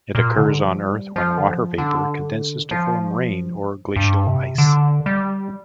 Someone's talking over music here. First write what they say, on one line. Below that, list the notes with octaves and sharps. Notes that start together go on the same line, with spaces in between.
It occurs on Earth when water vapor condenses to form rain or glacial ice.
A#2
D3
F3
G3
F3
D3
F3
D3
F3
G2
C3
D3
G3